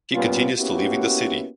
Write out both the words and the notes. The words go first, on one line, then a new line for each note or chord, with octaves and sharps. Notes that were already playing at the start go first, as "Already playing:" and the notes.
He continues to live in the city.
A#2 G3 B3 C#4 F4
A#3 B3 C#4 E4 F#4 G4